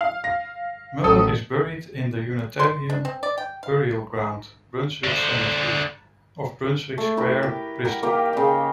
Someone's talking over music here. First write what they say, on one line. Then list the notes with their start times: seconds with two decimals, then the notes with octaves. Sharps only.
Muller is buried in the Unitarian burial ground, Brunswick Cemetery, off Brunswick Square, Bristol.
0.01 F5
0.24 A#6
1.04 A1 A4 D#6
2.59 C6
2.90 D4
3.05 C4
3.23 D5
3.38 G5
3.63 F5
5.04 D3 C5
6.98 A3
7.17 E4 G4 A#4 B4
7.43 G4
7.85 G4 A#4 F#5
8.03 D#3 A#3 G4 F5
8.33 C#3 G5